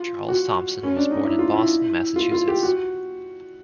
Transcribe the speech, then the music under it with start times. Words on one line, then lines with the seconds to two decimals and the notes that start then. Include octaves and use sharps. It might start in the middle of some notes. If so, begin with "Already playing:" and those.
Charles Thompson was born in Boston, Massachusetts.
Already playing: F4
0.28 F#4
0.83 C#4
0.96 D4
1.11 D#4
1.25 E4
1.39 F4
1.53 E4
2.16 F4
2.32 F4
2.48 G4
2.63 F#4